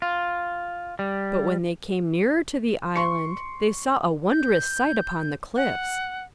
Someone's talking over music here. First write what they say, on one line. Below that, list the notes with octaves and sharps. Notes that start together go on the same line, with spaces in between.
But when they came nearer to the island they saw a wondrous sight upon the cliffs.
F4
G3
C6 C#6 C#7
G6
F#5